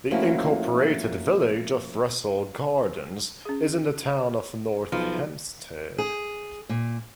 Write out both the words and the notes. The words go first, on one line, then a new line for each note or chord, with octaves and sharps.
The Incorporated Village of Russell Gardens is in the Town of North Hempstead.
F3 A3 A#3 C#4 E4 F#4
C#4 G#4
B1 F3
G#4
A#2